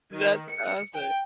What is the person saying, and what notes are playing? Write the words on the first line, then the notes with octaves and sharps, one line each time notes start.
That's awesome.
D#3
C#7
G5